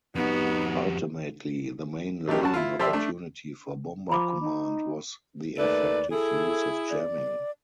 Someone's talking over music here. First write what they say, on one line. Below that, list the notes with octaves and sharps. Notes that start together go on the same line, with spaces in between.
Ultimately the main learning opportunity for Bomber Command was the effective use of jamming.
F2 B3 D#4 F#4 G4
F#3 A3 D4 D#4 G4 A#4
F#2 F#4 A5
E4 F4
F3 G4 D5 E5 C6 E6
A3 D4
F3 A#5 B5 D6
D#4
D#2 A3 B4 D5
E4 G#4 A4 E5
D5